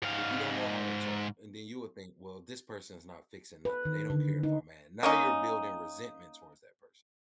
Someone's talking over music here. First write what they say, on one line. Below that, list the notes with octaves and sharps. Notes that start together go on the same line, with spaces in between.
if you don't know how to talk, and then you would think, "Well, this person is not fixing nothing, they don't care if I'm mad." Now you're building resentment towards that person.
G#2 F5
B4
D#3
D3
D#4
A#3 C#4 D#4